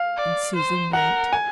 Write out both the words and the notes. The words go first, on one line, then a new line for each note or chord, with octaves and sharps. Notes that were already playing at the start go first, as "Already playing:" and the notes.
And Susan went.
Already playing: F5
D5
C5
A#4 F#5
G#5